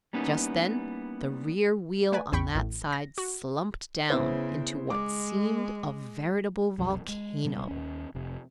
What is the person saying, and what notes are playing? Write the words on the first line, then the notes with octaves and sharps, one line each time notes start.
Just then the rear wheel on that side slumped down into what seemed a veritable volcano.
G3 A#3 B3 C#4 D#4 E4
A3 B4 D5 G#5
A1 E2 G5 B5 C#6
A1 A2
A#6
F#4
C#3 B3 E4 C5
G#3 D6
B1 F2 C3 G3
G#3
B2 G3 B3
D#2 C#4
F1 C3